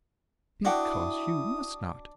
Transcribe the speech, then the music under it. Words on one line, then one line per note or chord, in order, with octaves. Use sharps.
'Because you must not.
D4 E4 F#4 F#5 G5 D#6